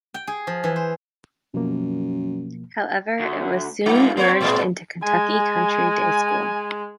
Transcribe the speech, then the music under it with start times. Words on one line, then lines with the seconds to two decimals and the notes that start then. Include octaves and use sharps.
However, it was soon merged into Kentucky Country Day School.
0.14 G5
0.27 G#4
0.47 F3
0.64 E3
0.76 C5
1.54 F#2 B2 F3 A#3
3.20 D2
3.86 D#3 G3 F4
4.17 A#3 C4 C#5
4.41 A2 G#3 B3
5.03 G#3 G#5